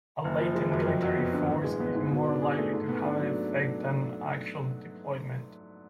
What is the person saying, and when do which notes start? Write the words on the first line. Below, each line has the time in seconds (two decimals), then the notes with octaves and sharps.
A latent military force is more likely to have an effect than actual deployment.
0.24 F#1
0.41 F3
0.55 G#3
0.72 F#2
0.87 F2
1.02 F#3
1.17 B3
1.33 D3
1.49 A1
1.64 G#3
1.80 B3
1.95 G#2
2.11 B2
2.26 D4
2.42 G#4
2.57 A3
2.73 G#2
2.88 B3
3.04 D4
3.19 F#3